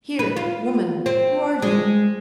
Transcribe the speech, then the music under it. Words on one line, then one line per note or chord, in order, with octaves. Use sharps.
Here! woman, who are you?
B4
F4
C4
G#3